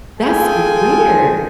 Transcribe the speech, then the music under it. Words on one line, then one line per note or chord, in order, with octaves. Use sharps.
That's weird
F4 G#4 A4 G5 G#5